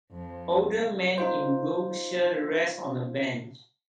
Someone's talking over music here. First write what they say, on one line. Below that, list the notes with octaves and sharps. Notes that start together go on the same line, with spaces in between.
Older man in blue shirt rest on a bench.
F2
D#4 F4 C5